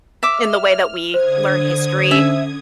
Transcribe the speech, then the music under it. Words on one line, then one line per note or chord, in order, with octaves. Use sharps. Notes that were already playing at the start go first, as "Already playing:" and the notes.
in the way that we learn history
E5 D6 F6
D3 C5 D#6 G#6
C#4 E5